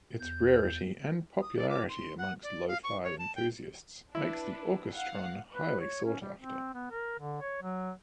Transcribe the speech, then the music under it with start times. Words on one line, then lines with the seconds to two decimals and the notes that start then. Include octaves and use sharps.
Its rarity and popularity amongst lo-fi enthusiasts makes the Orchestron highly sought after.
0.20 E2 G6
1.42 D#6
1.57 D5
1.69 D6
1.89 C6
2.18 F#5
2.43 D5
2.68 F5
2.84 C#6
3.04 C#5
3.18 A5
3.36 G5
4.15 D4 E4 B4
4.96 F5 F#5
5.53 B4
5.80 C#5
6.05 C#4
6.21 G3
6.38 C4
6.74 B3
6.91 A#4
7.19 D3
7.41 C#5
7.62 F#3